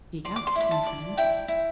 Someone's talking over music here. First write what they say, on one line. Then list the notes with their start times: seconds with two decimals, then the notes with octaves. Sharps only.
"Speak out, my friend."
0.25 D5 C6
0.36 D6
0.47 C6
0.56 E4 B5
0.71 A5
0.86 D5
1.17 E4 G5
1.48 E4